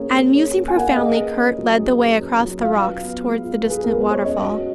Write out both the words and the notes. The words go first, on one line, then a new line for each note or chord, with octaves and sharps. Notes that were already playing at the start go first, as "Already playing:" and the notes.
And musing profoundly, Kurt led the way across the rocks towards the distant waterfall.
Already playing: A#3 C#4 G#4 C#5
G#4
C#5
C#4
G#5
A#3 F#5
F5
G#4 D#5
B4
C#4
F#3
G#4
B4
C#4
F#3
F4 F5
B4
B3
G#3
F4
B4
G#4
B3 A#4
B4
G#3
C#5
C#4 D#5
F#4